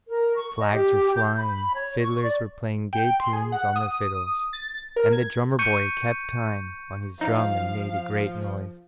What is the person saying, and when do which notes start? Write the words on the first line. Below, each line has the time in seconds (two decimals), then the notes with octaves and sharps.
Flags were flying, fiddlers were playing gay tunes on their fiddles, and the drummer boy kept time on his drum and made a great noise.
0.08 A#4
0.35 C#6
0.60 D#5
0.73 G4
1.14 G6
1.38 B5
1.75 C#5
1.99 C#6
2.22 D5
2.93 G5
3.20 C6
3.33 G#4
3.52 F#5
3.76 D#6
4.53 A6
4.96 A#4
5.12 G#6
5.59 C#6 G6 C#7 D#7
7.21 F3 D#4 F5